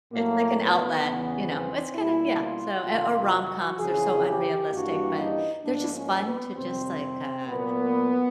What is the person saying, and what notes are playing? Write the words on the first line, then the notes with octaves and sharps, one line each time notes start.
It's like an outlet, you know? It's kinda Yeah, so Eh, or rom-coms, they're so unrealistic, but, they're just fun, to just, like, uh,
A2 F#3 A3 A#3
B3
E2 C#3 E3 B3
C4
B2 G3 A#3 E4
F4
F2 C3 D#3 F4
F#4
F2 C#3 E3 G#4
G4
G2 E3 G3 A#3 F#4
D#4
G#2 F3 A#3 D4
C#4
B3
F2 C3 D#3 G3 C4
A#2 F#3 A#3 B3